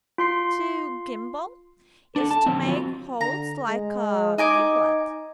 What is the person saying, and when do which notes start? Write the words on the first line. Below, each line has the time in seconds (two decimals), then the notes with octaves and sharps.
To "GIMBLE" is to make holes like a gimlet.'
0.18 F4 C6 C7
2.16 D4 A4
2.31 A5
2.46 D3 F3 C4
2.64 F#3 C4 F4
3.21 D3 A#5
3.68 G#3
4.38 D#4 D#5 G#5 D6